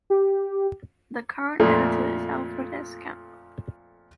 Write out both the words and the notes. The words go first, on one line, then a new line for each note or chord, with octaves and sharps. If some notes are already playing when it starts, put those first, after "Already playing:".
The current editor is Alfred S. Campbell.
G4
F2 A#2 F3 A3 F4